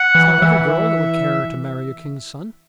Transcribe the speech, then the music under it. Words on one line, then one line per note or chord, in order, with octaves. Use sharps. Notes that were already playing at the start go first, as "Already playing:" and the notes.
It's not every girl that would care to marry a king's son.
Already playing: F#5
E3
E3 E5